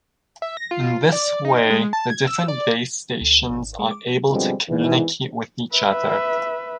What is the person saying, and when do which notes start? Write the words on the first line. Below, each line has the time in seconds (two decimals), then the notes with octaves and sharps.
In this way the different base stations are able to communicate with each other.
0.42 E5
0.57 A#6
0.71 F4
1.12 D5
1.45 D#4
1.70 G#3
1.93 A5
2.10 G#6
2.27 E6
2.48 D5
3.21 D2
3.49 G#1
3.79 G#3
3.91 D6
4.31 B2 D3 F3 G3 G#3 C4
4.69 E2 G#2 D#3 E3
5.74 B4 E5